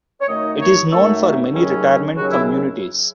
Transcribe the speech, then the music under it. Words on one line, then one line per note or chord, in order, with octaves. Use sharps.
It is known for many retirement communities.
C#5
F#2 D#3 A3 D#4 D#5
C#5
F#2 D#3 A3 D#4 A4
D#2 C#3 F#3 C#4
D#2 C#3 F#3 C#4 F#4
E4